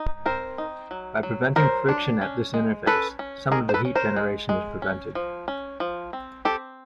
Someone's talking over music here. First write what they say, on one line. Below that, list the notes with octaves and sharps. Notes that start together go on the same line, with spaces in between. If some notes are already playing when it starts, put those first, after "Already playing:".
By preventing friction at this interface, some of the heat generation is prevented.
Already playing: D#4
C4 A#4 C5
D#4
F#3
F#3
F#3 A#4 C5
D4
C#4
G#3
C#4 A4 B4
C#4
D#3 G#4 A#4
C5
A4 B4
C#4
A#4 C5
G#3
G#3
C#4
F3
C#4
F3
C4
C4 G4 A4